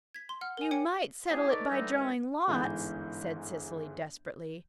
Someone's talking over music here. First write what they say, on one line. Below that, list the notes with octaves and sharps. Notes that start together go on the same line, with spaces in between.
"You might settle it by drawing lots," said Cecily desperately.
G#6 B6
C6
F#5 F6
A#4 G#5
C#5 G5 G#5 C#7
A2 G4 G#4
D#4 A4 B4 C#5 D5
D3 E3 G3 C4 D4 D#4
D#2 E3 G#3 C#4
G1 G#2 E3 G6